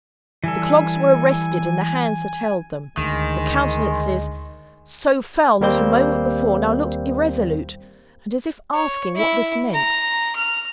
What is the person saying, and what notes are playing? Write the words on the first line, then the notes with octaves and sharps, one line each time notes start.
The clogs were arrested in the hands that held them--the countenances, so fell not a moment before, now looked irresolute, and as if asking what this meant.
E3 G3 A4 G#5
D2 D#3 G#3
D#2 G3 A#3 C4 G6
C#5
E4
A#5
F6